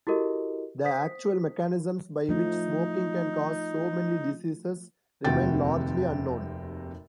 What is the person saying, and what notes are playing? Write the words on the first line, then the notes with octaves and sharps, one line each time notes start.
The actual mechanisms by which smoking can cause so many diseases remain largely unknown.
E4 F#4 G4 A4 A#4 D#5
C5 D#6 B6
F3 A3 D#4
F1 D#2 C3 F#4 G5 A6